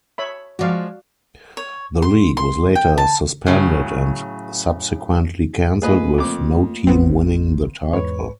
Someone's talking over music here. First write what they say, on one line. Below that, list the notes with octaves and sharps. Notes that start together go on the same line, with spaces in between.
The league was later suspended and subsequently cancelled with no team winning the title.
C#5 E5 B5
F3 G#3 F#4 D5 F5
C#5
C6
C6
G5
A5
A2 C#3 F3 F#3
A3 A#3 F4 G#4 B4 D#5
F2 D6
A1 B3 C4
E2 G#2 B4 C#5